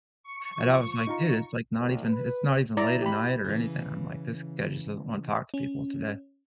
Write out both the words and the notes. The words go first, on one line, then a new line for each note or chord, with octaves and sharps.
And I was like, dude, it's, like, not even it's not even late at night or anything, I'm like, "This guy just doesn't wanna talk to people today."
C#6
F3
D#4 F4 A#5
C2
B4
E4 D5 A#5
G4 B5
C#3 E3
C#4